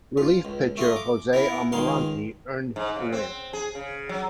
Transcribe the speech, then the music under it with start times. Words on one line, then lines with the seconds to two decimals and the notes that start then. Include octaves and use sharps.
Relief pitcher Jose Almarante earned the win.
0.17 F4
0.45 C#2
0.77 A3 F4 D#5
0.96 D6
1.33 B3 E4 A#4
1.72 C#2 D#3 G#4 F5 C6
2.76 G#2
2.96 C#3
3.12 C4
3.53 G#4
3.75 C#3
4.09 F#3